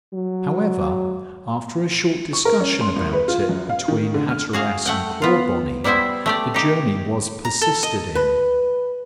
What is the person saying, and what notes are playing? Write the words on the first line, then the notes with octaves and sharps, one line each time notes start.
However, after a short discussion about it between Hatteras and Clawbonny, the journey was persisted in.
F#3
C#6
A#4
C#4
C6
C2
B4
F4
F#2
F5
D#3
D3
F6
F#4 G#4 F5
A3 F#5 G5
B3 F4
G3 B3 E4 C5 E5
A3 G4 D5
D#4 G4
A#5
A4
D#5
B4